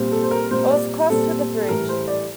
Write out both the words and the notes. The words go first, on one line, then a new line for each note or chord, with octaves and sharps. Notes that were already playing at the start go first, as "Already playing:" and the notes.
It was crossed with a bridge.
Already playing: A#2 G3 C4
A4
C5
A#4
A#2 G3 C4 C5
D5
A#2 G3 C4 A4
A4
A2 E3 G3 A#4
C5
D5